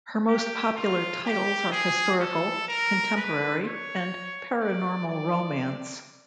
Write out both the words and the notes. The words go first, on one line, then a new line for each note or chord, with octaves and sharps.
Her most popular titles are historical, contemporary, and paranormal romance.
G4
F4
G4
G#4
A4
A#4
B4
C#5
D5
D5